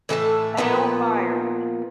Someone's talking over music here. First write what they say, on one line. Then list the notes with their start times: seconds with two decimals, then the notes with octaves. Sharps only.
Hail fire!
0.09 A2 E3 A3 A5
0.57 A#2 F3 B3 B4